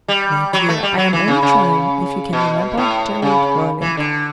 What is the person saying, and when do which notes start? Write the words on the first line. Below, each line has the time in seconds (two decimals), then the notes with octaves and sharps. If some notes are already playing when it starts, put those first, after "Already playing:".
"My dear, I am only trying if you can remember Gerard Roylake."
0.08 G3
0.53 F#3
0.69 A3
0.83 G3
0.98 F#3
1.13 E3
1.28 C#3
1.42 C#3
2.33 B2
2.77 A2
3.22 C#3
3.82 E3
3.97 D3